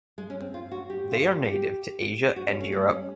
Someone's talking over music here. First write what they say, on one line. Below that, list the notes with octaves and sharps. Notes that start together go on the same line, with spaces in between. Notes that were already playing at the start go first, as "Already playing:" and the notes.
They are native to Asia and Europe.
G#3
C#4
C4
F4
F#4
G4
F4
F#4
G4
G4
F#4
C#4
A3
G3
C#4